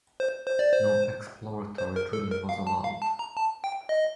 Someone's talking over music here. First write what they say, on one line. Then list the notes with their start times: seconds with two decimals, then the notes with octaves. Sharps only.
No exploratory drilling was allowed.
0.20 C5
0.47 C5
0.59 D5
0.72 C5
1.78 C5
1.96 A#4
2.13 A4
2.31 A#4
2.49 F5
2.67 A5
2.84 F5
3.02 A5
3.19 A#5
3.37 A5
3.64 G5
3.89 D#5